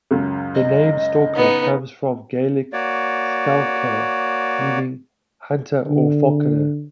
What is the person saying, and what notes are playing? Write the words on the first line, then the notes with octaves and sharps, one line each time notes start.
The name "Stalker" comes from the Gaelic "Stalcaire", meaning "hunter" or "falconer".
C#2 F#2
D#5
B3 D#4
A#3 F#4 C#5 D5
D3